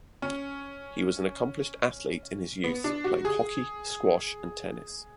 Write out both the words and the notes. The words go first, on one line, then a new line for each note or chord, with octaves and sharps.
He was an accomplished athlete in his youth, playing hockey, squash and tennis.
C#4
B3
D4
F#4
G#4